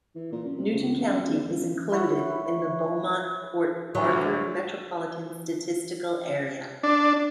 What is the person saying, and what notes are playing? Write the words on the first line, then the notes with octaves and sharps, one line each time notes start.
Newton County is included in the Beaumont-Port Arthur Metropolitan Statistical Area.
E3
A#2
F#2
C3
C#2
E1
F#2
E2
D#1
F#2
E4 C#5 F#5 B5
D2 F#3
D4